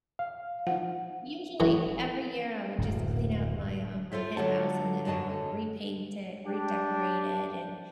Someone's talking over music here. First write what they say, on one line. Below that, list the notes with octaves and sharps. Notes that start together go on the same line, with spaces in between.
usually, every year, I would just clean out my, um, my hen house, and then I would repaint it, redecorate it, and
F5
F3 D#4 F#5
A2 E3 F#3
D1 F#2
F4 A4 C5 E5
D3 F#3 F4 F#4 F#5 A5
F#2 D3 F#4 D#5 A5
D4 G4